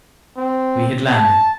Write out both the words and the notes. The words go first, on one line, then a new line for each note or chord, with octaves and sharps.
We had landed.
C4
A5